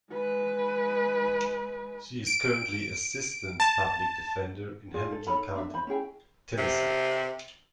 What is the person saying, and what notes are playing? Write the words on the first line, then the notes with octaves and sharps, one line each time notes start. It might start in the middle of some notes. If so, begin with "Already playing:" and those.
She is currently Assistant Public Defender in Hamilton County, Tennessee.
G#3 B4
D7
A5
F4 G#4 D5
A4
D#4 A4 C#5 B5
D4 E5
C5 B5
C#4 E4 G#4 G5
C3